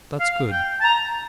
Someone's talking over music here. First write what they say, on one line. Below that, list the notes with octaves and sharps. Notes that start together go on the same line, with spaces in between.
"That's good."
F5
G5
A5
A#5